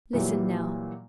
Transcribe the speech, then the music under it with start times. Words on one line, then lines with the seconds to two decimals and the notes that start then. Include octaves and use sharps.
Listen now.
0.13 A#2 E3 F#3 G3